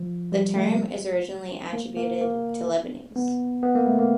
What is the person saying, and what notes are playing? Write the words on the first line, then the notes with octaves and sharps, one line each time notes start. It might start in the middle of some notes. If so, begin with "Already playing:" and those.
The term is originally attributed to Leibniz.
Already playing: F3
G3
A3
A#3
A#3
A#3
B3
B3
A#3
A3
A#3